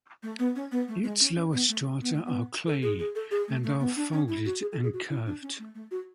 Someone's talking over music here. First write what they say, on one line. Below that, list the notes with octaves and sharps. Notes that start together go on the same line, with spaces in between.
Its lower strata are clayey, and are folded and curved.
A3
B3
C#4
B3
A3
G#3
C#4
C#4
B3
A3
B3
A3
B3
A4
G#4
G#4
A4
G#4
A3
A3
B3
D4
C#4
E4
F#4
G#4
A4
G#4
F#4
E4
D4
C#4
A3
A3
F#4